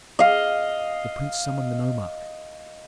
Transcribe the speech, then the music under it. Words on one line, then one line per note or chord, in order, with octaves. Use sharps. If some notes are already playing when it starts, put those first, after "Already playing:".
The prince summoned the nomarch.
D#5 F5